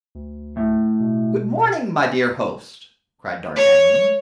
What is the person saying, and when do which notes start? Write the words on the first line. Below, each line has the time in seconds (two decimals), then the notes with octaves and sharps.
"Good-morning, my dear host," cried D'Artagnan.
0.15 D2
0.57 A2
1.00 B2
3.56 C#5